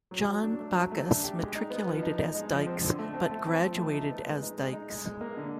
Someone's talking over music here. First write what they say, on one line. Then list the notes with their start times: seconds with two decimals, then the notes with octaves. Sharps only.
John Bacchus matriculated as Dikes but graduated as Dykes.
0.11 F#3
0.28 F#3
0.43 D4
0.59 A3
0.75 F#3
0.91 A3
1.08 D4
1.23 G4
1.39 G#3
1.55 D#4
1.70 B3
1.87 F3
2.03 D#4
2.18 D#4
2.35 G#3
2.51 F3
2.66 C4
2.82 D3
2.99 A3
3.14 C4
3.31 A3
3.46 C4
3.62 F3
3.78 A3
3.94 D#4
4.10 B3
4.26 G#3
4.42 D#4
4.58 G#3
4.73 D#4
4.90 G#3
5.05 G#3
5.21 A#3
5.37 D3